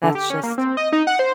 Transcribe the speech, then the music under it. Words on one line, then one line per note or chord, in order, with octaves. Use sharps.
that's just
D3
G4
C#4
A#3
C4
D#5
D#4
F#5
C5